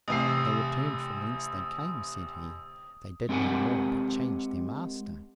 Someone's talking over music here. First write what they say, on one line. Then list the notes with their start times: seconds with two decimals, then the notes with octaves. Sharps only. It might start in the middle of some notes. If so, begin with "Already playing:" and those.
They returned from whence they came, said he; they did no more but change their master.
0.08 A1 C3 D#6 C7
3.29 G#3 C4 G4 A#4 F#5 G#5